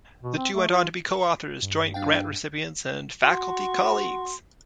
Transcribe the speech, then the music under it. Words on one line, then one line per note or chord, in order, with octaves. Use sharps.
The two went on to be co-authors, joint grant recipients, and faculty colleagues.
B2
C4
A3
F4
G2
D4 F5 G5
F#4 C6